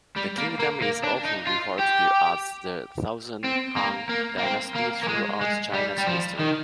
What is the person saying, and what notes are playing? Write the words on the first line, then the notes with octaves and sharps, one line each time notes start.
The kingdom is often referred to as the Southern Han Dynasty throughout China's history.
G3
A#3
A#3
A#3
D4
D#4
F4
G4
C4
A#3
A#3
A#3
C4
A#3
A#3
G#3
G#3
G3
G3
F3
D#3